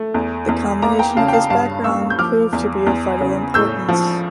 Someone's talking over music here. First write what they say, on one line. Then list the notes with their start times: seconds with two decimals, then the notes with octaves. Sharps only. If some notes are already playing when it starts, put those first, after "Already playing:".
The combination of this background proved to be of vital importance.
Already playing: A3
0.14 E2
0.49 E2
0.82 A#3 A#5 D6
0.99 G5 A#5
1.17 C#3 F5 A5
1.28 G5
1.33 F5 A5
1.50 G2 F5 A5
1.84 A#3 C#6 E6
2.10 G6
2.18 F3 D6 F6
2.53 E2
2.87 E2
3.21 C#3
3.54 A2 E6 G6
3.89 F3